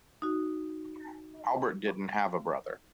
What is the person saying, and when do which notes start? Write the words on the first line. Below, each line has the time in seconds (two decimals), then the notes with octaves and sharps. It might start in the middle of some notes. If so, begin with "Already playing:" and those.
Albert didn't have a brother.
0.22 D#4 F#4